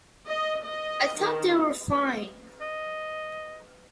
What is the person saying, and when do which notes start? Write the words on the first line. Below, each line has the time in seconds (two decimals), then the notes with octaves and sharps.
I thought they were fine.
0.25 D#5
0.63 D#5
1.18 D#3
2.61 D#5